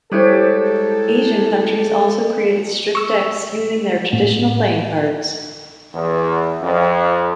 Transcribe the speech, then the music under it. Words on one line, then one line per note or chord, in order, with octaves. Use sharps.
Asian countries also created stripped decks using their traditional playing cards.
G#2 G3 E4 G4 A4 C#5
C#6 E6
A2
E2
F2